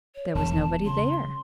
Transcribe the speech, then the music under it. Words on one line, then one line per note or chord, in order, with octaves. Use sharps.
There was nobody there.
C#5
E1 E2 A5
C#3 C6